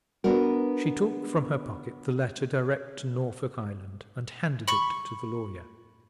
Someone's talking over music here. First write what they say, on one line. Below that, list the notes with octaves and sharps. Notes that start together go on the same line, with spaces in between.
She took from her pocket the letter directed to Norfolk Island, and handed it to the lawyer.
B3 D4 F#4 A#4
B5 C#6